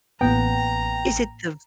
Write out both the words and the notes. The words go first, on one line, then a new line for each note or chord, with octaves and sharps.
is it the v
A1 A2 A#3 B3 G5 A#5